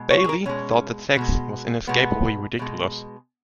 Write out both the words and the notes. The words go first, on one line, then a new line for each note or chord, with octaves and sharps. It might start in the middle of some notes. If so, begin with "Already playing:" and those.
Bayley thought that sex was inescapably ridiculous.
Already playing: B2 G#3
C#5
G#4
A#4
B2 G#3 C#4
B2 G#3
B2 G#3 B3
B2 G#3